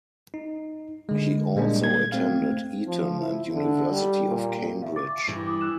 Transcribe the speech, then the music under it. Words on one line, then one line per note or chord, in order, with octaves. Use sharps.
He also attended Eton and University of Cambridge.
D#4
D3 G#3
A#2 G3 G#3 A#3 D4
G#6
A3 C4 F5
F3
E4
D3
G3
A#2
E5 F5
C#6 D6 A6
G2 E3
D6 D#6
E6 F#6 E7